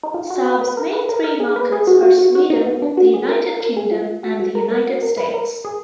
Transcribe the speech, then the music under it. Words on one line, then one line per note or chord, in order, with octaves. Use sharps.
Saab's main three markets are Sweden, the United Kingdom and the United States.
D#4
F4
F#4
F#4
B4
A#4
B4
A#4
A#4
G#4
B4
G#4
F#4
F#4
F#4
F#4
D#4
B3
D4
F#4
G#4
A#4
A#4
A#4
G#4
F4
F#4
F#4
A#4
A#4
F#4
A#4
B4
A#4
G#4